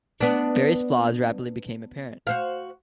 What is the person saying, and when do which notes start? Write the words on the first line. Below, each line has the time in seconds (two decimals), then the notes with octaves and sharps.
Various flaws rapidly became apparent.
0.20 B3 D4
2.27 F#4 C5 F5